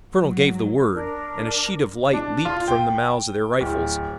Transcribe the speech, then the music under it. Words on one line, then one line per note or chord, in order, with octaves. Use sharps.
The colonel gave the word, and a sheet of light leaped from the mouths of their rifles.
F#3
D4 A#4
D4
F4
G5
D1